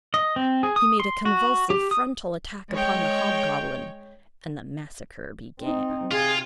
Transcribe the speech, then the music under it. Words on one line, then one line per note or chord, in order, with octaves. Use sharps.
He made a convulsive frontal attack upon the hobgoblin--and the massacre began.
D#5
C4
G#4
D#6
C6
F#4
G4
D#6
G#3 C#5 G5
C4 D#4
C3 F4 G#4